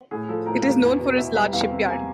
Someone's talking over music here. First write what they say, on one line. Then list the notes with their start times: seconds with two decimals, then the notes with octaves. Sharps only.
It is known for its large shipyard.
0.11 A2 G#4
0.28 F3 A4
0.46 A2 A#4
0.64 A#3
0.82 E2
1.00 B2
1.17 E2 E5
1.35 G3 E5
1.52 E2 F5
1.71 C3
1.88 A#3 G#5